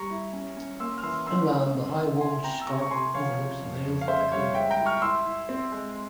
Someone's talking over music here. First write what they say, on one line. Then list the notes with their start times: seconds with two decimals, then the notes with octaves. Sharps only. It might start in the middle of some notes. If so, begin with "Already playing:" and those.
Inland the high Wolds scarp overlooks the Vale of Pickering.
Already playing: G3 A#5 C#6
0.10 E4
0.33 C#4
0.57 C#4
0.80 A#3 C6 E6
0.98 F6
1.03 E3 C6 E6
1.27 C#4 C6 E6
1.50 G#3
1.74 C4
1.97 E4
2.20 E4 G#5 C6
2.44 C4 G5 A#5
2.61 E6
2.67 C3 A#5 C#6
2.82 C#6
2.91 C3 G#5 C6
3.14 F3 C#5 F5
3.38 C#3
3.61 F2
3.84 F2
4.01 F5
4.08 C#3 C5 E5
4.31 G3 C#5 F5
4.54 G#3 E5 G5
4.70 G5 A#5
4.79 E4
4.86 C#6 F6
5.02 E4 C6 E6
5.25 E4
5.49 C4
5.72 G#3